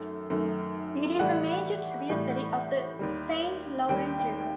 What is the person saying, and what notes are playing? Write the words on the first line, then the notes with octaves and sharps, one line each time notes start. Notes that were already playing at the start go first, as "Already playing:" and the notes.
It is a major tributary of the Saint Lawrence River.
Already playing: F#2 D#3 A3
F#2 D#3 A3
A2 E3 G3 F#5
A2 E3 G3
D#2 D#3 G3
D#2 D#3 G3 G5
G5